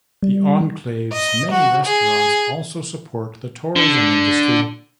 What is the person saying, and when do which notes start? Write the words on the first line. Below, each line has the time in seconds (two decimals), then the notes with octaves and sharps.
The enclave's many restaurants also support the tourism industry.
0.23 G3
1.12 D#5
1.51 F#4
1.85 G#4
3.76 D3